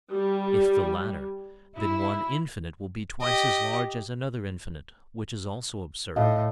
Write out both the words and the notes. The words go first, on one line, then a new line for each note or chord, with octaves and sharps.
If the latter, then one infinite will be twice as large as another infinite, which is also absurd.
G3
E4
G4 D#5
A2 D#5 F5